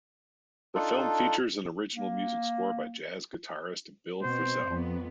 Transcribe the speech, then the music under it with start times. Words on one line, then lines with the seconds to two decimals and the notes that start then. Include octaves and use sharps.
The film features an original music score by jazz guitarist Bill Frisell.
0.75 D4 D#4 F4 A4
1.96 A#3
4.23 B2 C4 C5
4.68 F2 B3